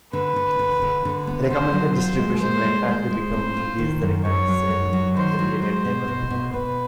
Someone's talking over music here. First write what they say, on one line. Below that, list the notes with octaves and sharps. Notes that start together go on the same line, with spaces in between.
Recommended Distribution went on to become These Records, an affiliated label.
D3 B4
D3
D3
D3
D3
B3
D3 C5
F#3
F4 C5
G#3
G#3 C5
G#3
G#3 C5
G#3
C4
F4
D#3
F#2
F#2 C#5
F#3
F#2
F#3
D#3 C5
F#3
G#3 C5
B2
B2
B2
B2 B4